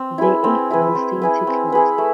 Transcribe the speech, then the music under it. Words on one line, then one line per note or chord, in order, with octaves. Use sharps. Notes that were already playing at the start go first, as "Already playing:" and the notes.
There ain't no santy clause!
Already playing: C4
E4 G#4 B4
C4
E4 G#4 B4
C4
E4 G#4 B4
C4
E4 G#4 B4
A3